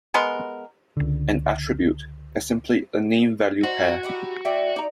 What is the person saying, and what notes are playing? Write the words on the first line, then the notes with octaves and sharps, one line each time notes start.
An "attribute" is simply a name-value pair.
G#3 B3 A#4 C6
C#2 D3
D#4 F#4 C5
D#4 E4 G4
A3 E4 D5 E5 G5
D#4 D5 A#5